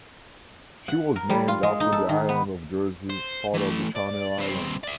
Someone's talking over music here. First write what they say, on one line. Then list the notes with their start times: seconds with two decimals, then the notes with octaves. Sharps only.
She was named after the island of Jersey, part of the Channel Islands.
0.88 F#5
1.16 A#4
1.30 G3
1.48 F4
1.63 G#3
1.80 D#4
1.92 A4
2.09 D#3
2.29 B3
3.10 C5
3.54 E3 A3
3.95 D5
4.38 G2 C4
4.84 D5 E5